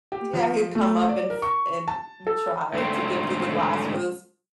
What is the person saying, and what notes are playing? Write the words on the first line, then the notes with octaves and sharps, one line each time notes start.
Yeah, he'd come up and f and try to get through the glass was
G4
F3
A3
D5
A#4
C#6
A5
A4
G#2 D3 A3 C4